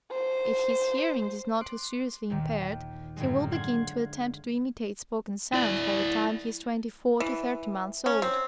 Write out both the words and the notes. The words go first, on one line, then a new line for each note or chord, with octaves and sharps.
If his hearing is not too seriously impaired, he will begin to attempt to imitate spoken sounds by the time he is twenty-four to thirty months old.
C5
C6 D6 F#6
D#2 A#2 D#3
F#2 A2 D3 G#3
F5 F#5 C6 G#6
E4 D5
E3
C#4
C4